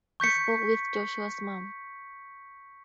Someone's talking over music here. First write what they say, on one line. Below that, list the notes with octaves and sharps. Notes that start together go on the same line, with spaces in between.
I spoke with Joshua’s mom.
C#6 G6 B6 C#7